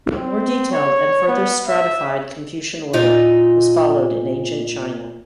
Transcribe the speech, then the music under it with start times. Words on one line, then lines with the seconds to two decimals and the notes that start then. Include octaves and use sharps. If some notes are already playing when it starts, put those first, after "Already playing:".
A more detailed and further stratified Confucian order was followed in ancient China.
0.15 C4
0.72 C#5
1.27 B3
1.68 E5
2.93 A#2 D#4 F4